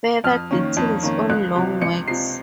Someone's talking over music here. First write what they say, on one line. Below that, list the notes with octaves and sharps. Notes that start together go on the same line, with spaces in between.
Further details on long works.
F2 F6
D#3 A#3 C#4
F2
D#3 A#3 C#4
C#2 F#6
C3 F3
C#2 C#7
C3 F3 C7